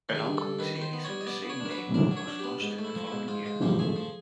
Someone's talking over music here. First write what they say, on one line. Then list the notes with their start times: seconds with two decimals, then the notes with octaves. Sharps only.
An ongoing series with the same name was launched the following year.
0.09 D#3
0.15 G#4
0.25 G2
0.37 G2 A4
0.59 D#3 B4
0.75 D#3
0.81 C5
0.93 B3
1.04 G3 C#5
1.21 D#5
1.26 B3 D5
1.44 B3
1.49 C#5
1.60 D4
1.65 A#4
1.71 B4
1.77 F#3
1.94 D4 A#4
2.11 F#3
2.17 C#5
2.27 D4
2.39 B3 G4
2.61 G#2
2.79 A3
2.84 E4
2.95 F3
3.07 G#2 E4
3.28 G#2 F4
3.45 G#2 F4
3.62 F3 G4
3.79 A3 G#4
3.96 F3